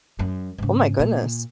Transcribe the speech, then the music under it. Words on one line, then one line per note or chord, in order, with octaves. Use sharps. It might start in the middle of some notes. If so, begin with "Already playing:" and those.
Oh, my goodness.
F#2
G#2 C#3
A#2